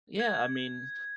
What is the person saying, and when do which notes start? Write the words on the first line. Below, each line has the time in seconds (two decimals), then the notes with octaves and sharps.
Yeah, I mean,
0.20 G#6